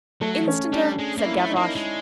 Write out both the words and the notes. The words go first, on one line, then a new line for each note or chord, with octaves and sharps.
"Instanter," said Gavroche.
F#3 A3
C#4
G3 D4
G#3
A#3
E4
A3
D#4
A#3
G#3